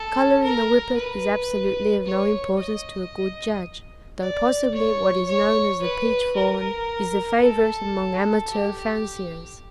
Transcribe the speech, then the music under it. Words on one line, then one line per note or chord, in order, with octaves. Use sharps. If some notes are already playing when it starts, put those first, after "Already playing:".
Colour in the Whippet is absolutely of no importance to a good judge, though possibly what is known as the peach fawn is the favourite among amateur fanciers.
Already playing: A4
A#4
B4
C#5
D#5
D5
C#5
C#5
B4
A#4
A4
G4